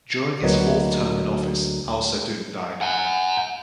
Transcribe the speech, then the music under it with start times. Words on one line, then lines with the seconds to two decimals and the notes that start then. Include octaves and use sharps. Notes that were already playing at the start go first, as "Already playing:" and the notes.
During his fourth term in office, Al-Sa'dun died.
0.42 D2 F#3 A#3 B3 C#5 D#5
2.81 F#5 G#5